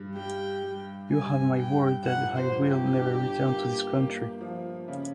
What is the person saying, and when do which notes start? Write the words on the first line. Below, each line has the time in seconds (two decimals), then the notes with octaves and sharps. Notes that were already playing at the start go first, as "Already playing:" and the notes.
You have my word that I will never return to this country.
Already playing: G2
0.16 G3 G5
0.63 G3
1.10 G2 G#5
1.57 G2 G5
2.04 G1 F#5
2.36 C5
2.52 G1
2.67 G4
2.99 D4
3.46 A#3
3.93 A#3
4.41 F3
4.88 C#3